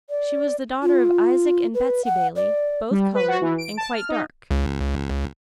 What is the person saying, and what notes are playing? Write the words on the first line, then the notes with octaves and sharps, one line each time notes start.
She was the daughter of Isaac and Betsey Bailey, both colored, and quite dark.
D5
F4
B4
F#5
D5
G3
B4
F#4
E3
D7
A5
F6
D#4
C#2